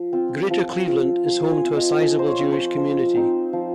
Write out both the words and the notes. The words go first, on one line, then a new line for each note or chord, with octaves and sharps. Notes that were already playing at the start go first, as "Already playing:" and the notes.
Greater Cleveland is home to a sizable Jewish community.
Already playing: F3
C4 F4
F3
C4 F4
F3 C6
G#5
C4 F4
D#5
F3 D#5
C5
C#5
C4 F4
C5
F3
C4 D#4
F3